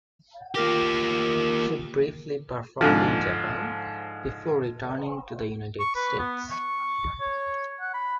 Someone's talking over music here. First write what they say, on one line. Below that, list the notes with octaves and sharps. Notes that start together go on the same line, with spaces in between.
She briefly performed in Japan before returning to the United States.
A#3 F4 G4 A#4 D6
G#2 D3 F3
C#6
B4
B3
C#6
C#5
F#5
B5